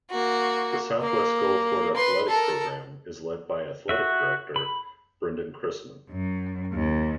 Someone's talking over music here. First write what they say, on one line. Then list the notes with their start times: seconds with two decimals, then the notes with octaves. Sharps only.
The Southwest Guilford Athletic program is led by athletic director Brindon Christman.
0.11 A#3 F#4
1.01 A#3
1.96 B4 C6
2.28 A4 A#4
3.89 F#4 E5
4.56 B5
6.10 F#2
6.72 D#2